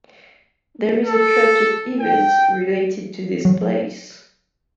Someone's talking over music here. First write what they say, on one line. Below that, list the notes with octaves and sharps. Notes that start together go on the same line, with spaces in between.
There is a tragic event related to this place.
A4
G5
F#3